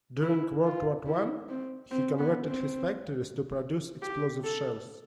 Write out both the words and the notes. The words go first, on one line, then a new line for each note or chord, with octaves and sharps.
During World War One, he converted his factories to produce explosive shells.
E4
F4
E4
C4
C4
B3
C4
G4
A4